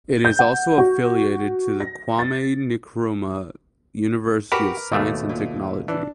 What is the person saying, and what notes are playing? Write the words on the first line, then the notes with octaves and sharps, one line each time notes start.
It is also affiliated to the Kwame Nkrumah University of Science and Technology.
G6
F#5
F#4
A#6
A6
F#4 G4 A#4 B4 D6
D#2 B2 A3
A#2
E3 D4